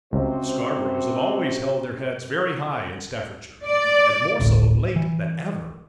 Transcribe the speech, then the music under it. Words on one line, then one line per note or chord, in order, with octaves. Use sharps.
The Scarboroughs have always held their heads very high in Staffordshire, and more so of late than ever.
C#2 C3 C#4 F#4 C5
D5
D1 G1 A2
E3